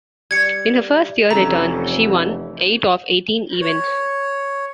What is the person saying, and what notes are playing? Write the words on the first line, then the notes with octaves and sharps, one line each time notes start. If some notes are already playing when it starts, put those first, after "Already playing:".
In her first-year return, she won eight of eighteen events.
G3 G#6 C#7
F1 E3 A3 C#4 A#5
C#5